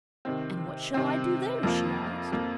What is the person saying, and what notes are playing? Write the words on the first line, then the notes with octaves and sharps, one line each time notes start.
'And what shall I do there?' she asked.
C3 D#3 C4
C3 D#3 C4
F2 F3 A#3
F2 F3 A#3